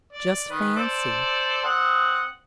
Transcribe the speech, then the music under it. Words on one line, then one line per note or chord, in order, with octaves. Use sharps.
Just fancy!
D5
D#3 B4
A4 C5 D5
C4 F#5 D#6